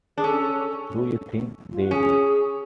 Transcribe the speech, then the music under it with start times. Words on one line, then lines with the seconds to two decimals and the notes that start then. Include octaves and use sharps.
Do you think they do?
0.16 D4 G#4
0.24 C#4 A4
1.70 F4
1.81 F#4
1.91 C#4 G#4